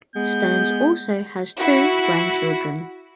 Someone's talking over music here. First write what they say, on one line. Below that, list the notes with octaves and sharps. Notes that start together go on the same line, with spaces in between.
Stearns also has two grandchildren.
G#3 B3 G6
E4 F#4